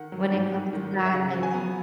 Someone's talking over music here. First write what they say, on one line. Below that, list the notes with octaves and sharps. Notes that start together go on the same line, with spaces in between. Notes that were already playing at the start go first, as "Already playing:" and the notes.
when it comes to that, an
Already playing: D#3 F#5
F#3
G#2
G#2
D#3
F#3
E5
C#3 F#5
F#3
G#5
B3